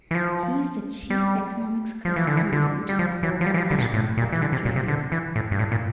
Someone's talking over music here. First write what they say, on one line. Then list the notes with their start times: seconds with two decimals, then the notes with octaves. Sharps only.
He is the Chief Economics Correspondent for National Public Radio.
0.11 E3
0.15 F3
1.10 G3
2.05 F3
2.16 E3
2.27 D3
2.37 E3
2.52 D3
2.89 G3
2.99 F3
3.23 E3
3.41 F3
3.46 G3
3.54 E3
3.58 F3
3.71 D3
3.79 C3
3.82 A#2
3.94 A2
4.17 A#2
4.33 E3
4.42 D3
4.53 C3
4.65 A#2
4.76 C3
4.88 D3
5.12 E3
5.36 A2
5.51 G2
5.59 A2
5.72 A#2